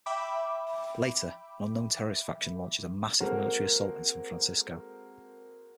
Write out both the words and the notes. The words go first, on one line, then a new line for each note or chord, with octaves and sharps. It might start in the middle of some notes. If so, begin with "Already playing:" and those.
Later, an unknown terrorist faction launches a massive military assault in San Francisco.
E5 G5 B5 D6
G#3 A#3 C4 F#4 A4 A#4